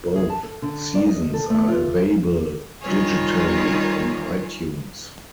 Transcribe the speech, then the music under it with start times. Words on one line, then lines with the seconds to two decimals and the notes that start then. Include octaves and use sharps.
Both seasons are available digitally on iTunes.
0.15 G#4
0.29 A5
0.43 A4
0.62 D3
0.95 D5
1.07 D#5
1.34 A4
1.50 A3
1.68 F4
2.81 D#3 G3 F4 G#4 C#5